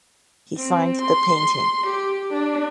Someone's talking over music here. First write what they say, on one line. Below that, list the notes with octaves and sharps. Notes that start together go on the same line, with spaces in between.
He signed the painting.
C4
C6
G4
D4